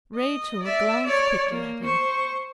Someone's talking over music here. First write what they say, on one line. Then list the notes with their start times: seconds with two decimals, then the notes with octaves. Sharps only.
Rachel glanced quickly at him.
0.16 D#5
0.63 D5 E5
1.04 C#5 D5
1.51 A#3
1.84 C5 C#6